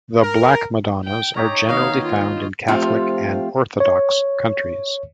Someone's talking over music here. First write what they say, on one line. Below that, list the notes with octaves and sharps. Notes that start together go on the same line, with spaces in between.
The Black Madonnas are generally found in Catholic and Orthodox countries.
A#4
G5
D#4 G4 C#5 A#5
D#3 A#3 B3 F#4 D#5 F5
F4
F3 A3 C4 F4 G4
C#5